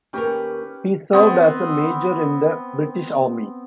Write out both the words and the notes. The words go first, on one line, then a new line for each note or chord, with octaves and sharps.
He served as a Major in the British Army.
D#2 C#4 D#4 G4 A#4 B4
B3 C4